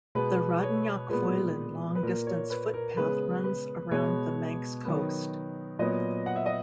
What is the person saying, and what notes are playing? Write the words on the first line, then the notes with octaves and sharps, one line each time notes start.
The Raad ny Foillan long distance footpath runs around the Manx coast.
B2 G#3 B3 B4
C#5
A#2 G#3 B3 B4
B4
A#2 A#3 A#4
C#5
B4
A#4
C#3 G#3 B3 B4
B4
B2 G#3 B3 C#5
D#3 F#3 B3
A#2 F#3 B3 D#5
F#5
E5
D#5